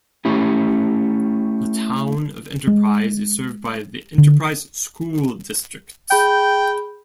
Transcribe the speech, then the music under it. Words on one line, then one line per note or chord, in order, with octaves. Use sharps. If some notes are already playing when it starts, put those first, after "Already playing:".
The town of Enterprise is served by the Enterprise School District.
A3 C#4 E4 G4
G#3
D3
G#4 G5 B5 G6